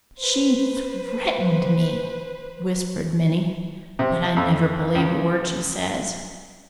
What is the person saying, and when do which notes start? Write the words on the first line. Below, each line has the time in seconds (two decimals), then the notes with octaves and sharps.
"She THREATENED me," whispered Minnie, "but I never believe a word she says."
0.18 B4 C5
3.99 C3
4.37 F2
4.95 C#2